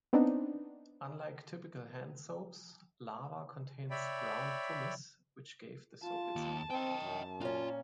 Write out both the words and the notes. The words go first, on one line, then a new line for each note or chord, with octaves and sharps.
Unlike typical hand soaps, Lava contains ground pumice, which gave the soap its name.
B3 C4 D4 D#4
C#5 D5 E5 G5 B5
F4 A5
D#2
C4 D#5 G5
F#2
A#2 C#4 F4